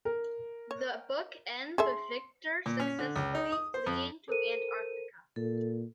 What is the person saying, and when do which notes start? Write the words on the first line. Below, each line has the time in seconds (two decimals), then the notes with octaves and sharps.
The book ends with Viktor successfully fleeing to Antarctica.
0.05 A#4
0.71 C#5
1.78 G#4 A4 E5 C6
2.66 A#2
2.80 C#4
2.99 D3
3.16 C#2
3.35 D#4
3.52 D#6
3.74 C5
3.86 F2
4.28 A4 A#4 C5 D#7
5.36 A#2 A4